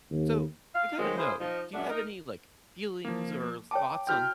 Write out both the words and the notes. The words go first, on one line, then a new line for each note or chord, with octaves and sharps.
So, I gotta know. Do you have any, like, feelings or thoughts on,
D#2
F5
D#3 F3 F#3 G#3 C4 A#4
E4 F4 G#4 C5
F3 D#4
F#2 A#2 G#3 D4 E5 F#5
D#4 A#4
F3 A#3
C#5 G5 A5 D6
E4 F#4 G5 D6 F6 G6